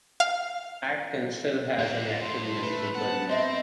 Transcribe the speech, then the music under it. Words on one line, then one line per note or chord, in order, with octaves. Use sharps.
Atkins still has an active musical career.
F5
A#3 F#4
A2 C6
A3 B4
B3 F#5 A5
C4 C5 D#5 E5